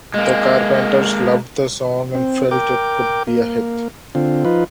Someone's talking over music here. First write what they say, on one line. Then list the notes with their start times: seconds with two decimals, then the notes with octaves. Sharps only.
The Carpenters loved the song and felt it could be a hit.
0.14 G#3 A#3
2.15 C4
2.51 A#4 G5 D6
3.27 A#3
4.15 D3 C4 F4
4.45 F3 D#4 F4 B4